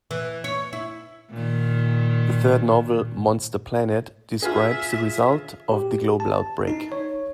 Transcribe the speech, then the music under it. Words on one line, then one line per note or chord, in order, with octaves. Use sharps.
The third novel, "Monster Planet", describes the results of the global outbreak.
E3
C#5
E4
A#2 D#3
F4 G#4 E5
G4
A5
D#4
C#5